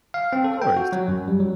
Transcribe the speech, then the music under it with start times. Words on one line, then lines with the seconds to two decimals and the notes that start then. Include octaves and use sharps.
Of course.
0.14 F5
0.33 C4
0.44 A4
0.62 G5
0.77 F#4
0.92 F#3
1.08 F#2
1.28 G3
1.40 F#3